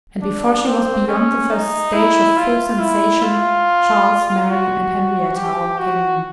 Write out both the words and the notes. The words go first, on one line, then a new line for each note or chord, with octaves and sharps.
And before she was beyond the first stage of full sensation, Charles, Mary, and Henrietta all came in.
D4
C4
C#4
D#4
E4
F4
E4
F4
F#4
G4
F#4